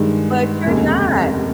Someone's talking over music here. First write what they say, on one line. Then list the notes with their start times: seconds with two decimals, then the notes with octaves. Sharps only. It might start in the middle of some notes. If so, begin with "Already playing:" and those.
But you're not.
Already playing: G2 D#3 G#3
0.64 F1 D#2 C#3 G#3